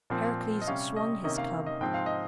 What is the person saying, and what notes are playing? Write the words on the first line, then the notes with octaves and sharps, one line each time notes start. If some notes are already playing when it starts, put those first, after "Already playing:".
Heracles swung his club.
A#2 F3 C4
D#5
C3 G3 C#4 F5
D#5
C3 D#3 A#3 C#4 D#5
F5
D#5
G#2 F3 C4 G5
F5
D#5